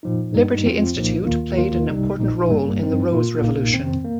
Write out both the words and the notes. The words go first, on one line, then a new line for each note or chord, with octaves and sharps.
Liberty Institute played an important role in the Rose Revolution.
A#2 F3 D#4
G2 G3 D#4
F2 F3 C4 F4
C2 A#2 F3 A#3 D#4
D#2 D#3 A#3 F4
D#2 D#3 A#3 F4
C2 C3 G3 D#4
A#1 A#2 F3 D#4
G1 G2 G3 A#3
G2 F3 C4 D#4
A#2 A#3 F4
A#1 A#2 A#3 D#4
F2 D#3 C4
A#3